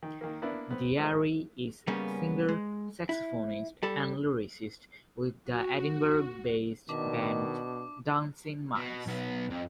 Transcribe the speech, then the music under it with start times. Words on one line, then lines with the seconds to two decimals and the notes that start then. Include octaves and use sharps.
Deary is singer, saxophonist, and lyricist with the Edinburgh-based band Dancing Mice.
0.03 D#3
0.21 D#3 A#3
0.42 A#3 B3 D4 E4
0.71 B3 C4
0.98 F3 G#3 A3
1.87 C#3 G3 A#3 B3 C#4
2.48 G#3
3.09 E4
3.83 G3 A4 B5
5.49 F#4
6.89 B2 D#3 D4 E5 D6
8.75 B2
9.07 B1 B3
9.50 F2